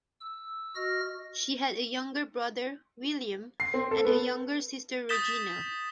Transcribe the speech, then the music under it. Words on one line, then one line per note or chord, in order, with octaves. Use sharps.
She had a younger brother, William, and a younger sister, Regina.
E6
F#4 D#5 F6 A#6
C7
C4
A4
B3
D#6 G6 A6 B6 E7 G7